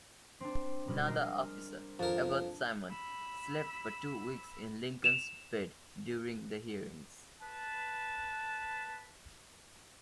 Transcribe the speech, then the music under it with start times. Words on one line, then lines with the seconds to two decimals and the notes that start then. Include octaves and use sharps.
Another officer, Abbott Simon, slept for two weeks in Lincoln's bed during the hearings.
0.40 C4 D4
0.87 B2 G3 F6
1.07 G#3 A#4
1.99 F2 A#4 A5
2.90 B5 E6
5.04 E7 F7
7.41 B4 A5